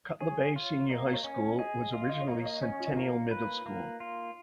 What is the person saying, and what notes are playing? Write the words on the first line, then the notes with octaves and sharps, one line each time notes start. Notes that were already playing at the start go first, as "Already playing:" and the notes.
Cutler Bay Senior High School was originally Centennial Middle School.
G#4 C#5
F4
A#3 D#5
C#5
C#4
C#5
G#4 D#5
F4 D#5
F5
D#5
C#5
A#3 D#5
D#5
D#5
C#4 C#5
F4
D#4
A#3 F4
B4
A#3
F4